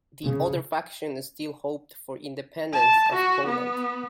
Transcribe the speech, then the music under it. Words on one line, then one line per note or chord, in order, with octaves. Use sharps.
The other faction still hoped for independence of Poland.
C#3
A5
F#4
B3